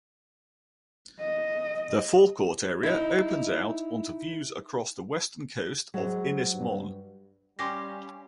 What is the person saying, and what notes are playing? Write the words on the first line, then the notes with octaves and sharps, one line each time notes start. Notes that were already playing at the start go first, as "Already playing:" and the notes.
The forecourt area opens out onto views across the western coast of Ynys Mon.
D#5
D#4 E4
F#3 G#3 C5
G2
G3 C#4 G4 F5 C6 D6 A#6